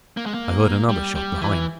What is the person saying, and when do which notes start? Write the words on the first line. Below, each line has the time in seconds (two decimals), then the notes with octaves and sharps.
I heard another shot behind me.
0.17 A#3
0.26 G#3
0.34 A#3
0.89 G3
1.15 G3
1.41 E3